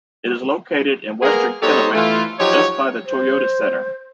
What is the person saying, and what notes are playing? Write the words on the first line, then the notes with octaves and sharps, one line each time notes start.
It is located in western Kennewick, just by the Toyota Center.
G#3 A#3 B3 G#4 A#4
B3 D#4 G4 A4 C5 C#5
E3 A3 F4
F3 F#3 D#4 G4 C#5
C5